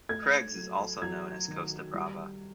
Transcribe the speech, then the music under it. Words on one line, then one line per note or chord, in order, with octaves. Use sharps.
Creggs is also known as Costa Brava.
A3 G#6
F#3
F#3 G#6
D#3
G3